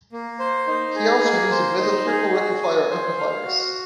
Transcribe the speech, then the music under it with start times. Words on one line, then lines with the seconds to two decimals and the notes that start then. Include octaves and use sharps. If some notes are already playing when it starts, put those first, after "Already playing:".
He also uses Mesa Triple Rectifier amplifiers.
0.12 A#3
0.39 C5
0.67 D#4
0.95 G#4
1.23 A#3
1.51 C5
1.79 D#4
2.06 G#4
2.34 F#4
2.62 G#5
2.90 C5
3.18 F5
3.45 F#4